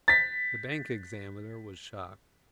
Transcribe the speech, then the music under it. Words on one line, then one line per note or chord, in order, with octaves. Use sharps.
The bank examiner was shocked.
A6 B6